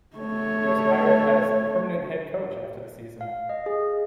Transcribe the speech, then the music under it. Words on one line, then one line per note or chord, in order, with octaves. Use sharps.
He was hired as permanent head coach after the season.
A3 C#5
F5
D#5
G#4